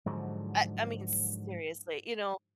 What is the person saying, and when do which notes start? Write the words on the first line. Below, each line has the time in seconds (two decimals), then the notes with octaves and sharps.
I I mean, seriously, you know?
0.06 G#2 D3 F3 F#3